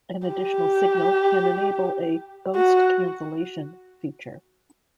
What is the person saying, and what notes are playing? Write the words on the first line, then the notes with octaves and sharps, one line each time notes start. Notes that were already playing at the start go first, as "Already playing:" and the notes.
An additional signal can enable a "Ghost Cancellation" feature.
G4
F#4